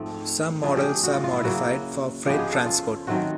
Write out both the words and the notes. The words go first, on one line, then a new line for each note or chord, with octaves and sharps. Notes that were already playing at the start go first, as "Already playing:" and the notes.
Some models are modified for freight transport.
Already playing: G#2 F3 A3 C4 A4
D3 F3 A3 C4 G#4
G4
G#4
F#4
F4
F4
E4
C#3 F#3 A#3 F#4
C#3 F3 G#3 B3 G4
G#4
A4
F4
D#3 F#3 A3 C4 F#4